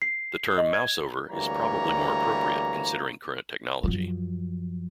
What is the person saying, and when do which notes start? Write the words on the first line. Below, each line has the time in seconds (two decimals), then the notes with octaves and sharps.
The term mouseover is probably more appropriate considering current technology.
0.02 C7
0.58 D#5
0.73 G#6
1.30 D2 E3 G3 A#3 C#5 A#5
3.84 F#2 F3